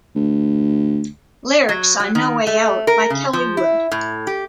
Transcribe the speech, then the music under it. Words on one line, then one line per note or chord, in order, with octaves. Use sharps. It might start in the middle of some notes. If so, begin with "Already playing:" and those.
Lyrics on "No Way Out" by Kelly Wood.
D2
F#3
F#3
D#3
A3
A#4
C#3
F3
E4
A2
G4